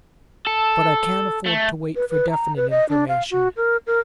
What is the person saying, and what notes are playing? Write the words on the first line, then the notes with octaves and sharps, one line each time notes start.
But I can afford to wait for definite information.
A4
A3
B4
B4
A#5
B4
D#5
D4
F5
F#4
A#4
A#4